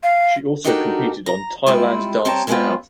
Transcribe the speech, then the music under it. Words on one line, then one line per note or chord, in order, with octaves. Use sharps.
She also competed on "Thailand Dance Now".
F5
D4 D#4 F#4 G4 A4 A#4
A#5
G3 G#3 C4 E4 F4
G3 C4 C#5 A5 A#5
A2 D3 G#3 B3 C4 F4